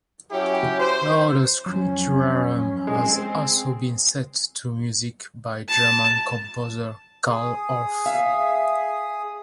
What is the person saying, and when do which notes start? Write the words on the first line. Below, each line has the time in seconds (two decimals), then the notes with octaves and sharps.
Laudes Creaturarum has also been set to music by German composer Carl Orff.
0.31 F#3 C#4 E4 G4
0.79 C5
1.66 F2 F#3 C#4
2.87 G#3 C4
5.68 A5
7.30 G#4 D#6
8.06 E5 F5